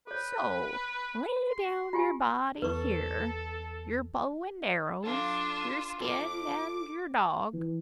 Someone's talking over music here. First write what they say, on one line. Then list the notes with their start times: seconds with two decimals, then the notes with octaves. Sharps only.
So, lay down your body here; your bow and arrows, your skin and your dog.
0.07 A4 B4 C#5
1.48 C6
1.93 F4 G4 G#5
2.62 E2 A4 B4 C#6
5.04 D4 F4 A4 F5
6.00 F4 A4 D6
7.54 E3